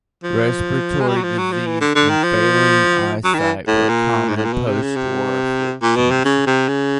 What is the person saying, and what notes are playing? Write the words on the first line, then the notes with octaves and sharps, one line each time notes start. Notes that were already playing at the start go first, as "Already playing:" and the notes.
Respiratory disease and failing eyesight were common post-war afflictions.
F3
G#3
G3
F#3
F3
F#3
F3
E3
D3
D3
D#3
F3
F#3
D#3
E3
A2
A#2
G#2
A2
A#2
B2
C3
C#3
C3
A#2
B2
C3
C#3
C3
C#3